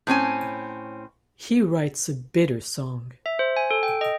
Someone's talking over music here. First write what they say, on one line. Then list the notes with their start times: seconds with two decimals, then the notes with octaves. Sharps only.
He writes a bitter song.
0.07 A2 C4 C#4 G#5
3.26 E5
3.39 C5
3.56 G#5
3.71 A4
3.83 G5
4.01 D#5